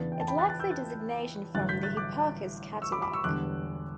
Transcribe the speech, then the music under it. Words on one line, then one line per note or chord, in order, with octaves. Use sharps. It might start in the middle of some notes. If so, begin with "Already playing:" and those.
It lacks a designation from the Hipparcos catalogue.
Already playing: E2 C#3 E3 B3 D4 A6
G5
A5
G5 B5
F#6 A6
F#6 A6
E6 G6
F#6 A6
A1 G2 D3 F#3 F#6 A6
G6 B6
F#6 A6
D6 F#6
C#6 E6
B5 D6
B5 D6
C#6 E6
E1 E2 D3 G3 B3 D6 F#6